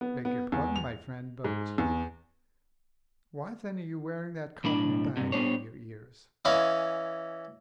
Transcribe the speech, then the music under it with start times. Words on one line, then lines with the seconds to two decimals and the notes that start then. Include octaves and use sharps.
"I beg your pardon, my friend, but why then are you wearing that cotton bag over your ears?"
0.01 B3
0.25 B3
0.52 E2
0.76 F7
1.44 G#2
1.78 E2
4.64 B1 A2 D4 B5
5.17 G2 C3
5.32 G3 B3 D4 C5 C#5
6.45 E3 C#4 D#5 F5 G#5 B5